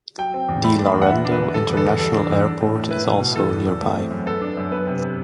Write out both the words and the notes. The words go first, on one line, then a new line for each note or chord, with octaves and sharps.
The Laredo International Airport is also nearby.
F#3 G5
C4
E2
A3 B5
D4
B5
E2
F#5
B3 E5
D4
B4
D3
G3 A4
E2 B4
A4
E2
G3 A4
D4
E2
D4
A2
A2
E4 B4
B2
B2
E3 A4
E2
E2
A3
C4
F#2
B3 A4
D4
F#2
B3 B4
C3
C3